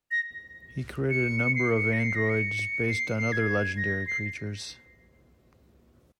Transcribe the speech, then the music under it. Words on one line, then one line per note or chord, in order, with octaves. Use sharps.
He created a number of androids based on other legendary creatures.
A#6
C#7
C#7
C7
C#7
A#6
C7
A#6
C#7
C7
C7
G#6
A#6
C7